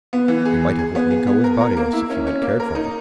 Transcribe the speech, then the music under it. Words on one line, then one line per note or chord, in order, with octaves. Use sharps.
You might have let me go with Barrios if you had cared for me.
B3
E3
G#4
G#4
G#4
B3
G#4
B3
A#4
A#4
A#3
E4
C#4
C#4
A#3
A#4
D#4